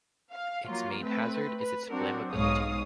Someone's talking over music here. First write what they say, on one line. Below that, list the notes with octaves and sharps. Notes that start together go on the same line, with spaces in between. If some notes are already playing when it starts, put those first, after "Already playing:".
Its main hazard is its flammability.
F5
F#3 A#3 F4
A3 C4 B4
B4
F#3 C4 D4 F#4 A#4
B1 G#2 C#5 F5 D#6